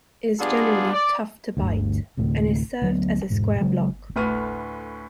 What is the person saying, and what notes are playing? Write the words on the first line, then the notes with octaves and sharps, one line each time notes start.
It is generally tough to bite, and is served as a square block.
G3 B3 D4 F4 G#4
D5
G1 D2
D2 A2 C3
D2 F#3 B3
E1 G#2
C#3 F#3 G#3
D2 A2 B4 C#6 F6 D#7